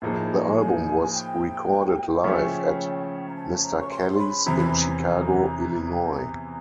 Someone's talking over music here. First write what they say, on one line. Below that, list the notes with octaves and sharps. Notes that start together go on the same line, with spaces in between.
The album was recorded live at Mr. Kelly's in Chicago, Illinois.
A2 F3 A#3 D#4 G#4 A5
G#5
G5
C#3 F3 A3 C#4 G5
A#5
A5
A#5
C#6
C6
B5
E2 C3 E3 A#5
B5
A#5
A#5